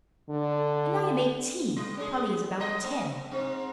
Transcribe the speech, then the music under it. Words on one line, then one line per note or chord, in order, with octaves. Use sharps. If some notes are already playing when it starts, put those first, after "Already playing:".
"And I am eighteen, Polly is about ten."
D3
G3
C#4 G#4
G3 D#5
A#3
G#2 C4